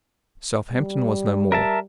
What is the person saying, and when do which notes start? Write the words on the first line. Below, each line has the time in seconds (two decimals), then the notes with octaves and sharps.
Southampton was no more.
0.72 G3
1.52 A#4 E5 A5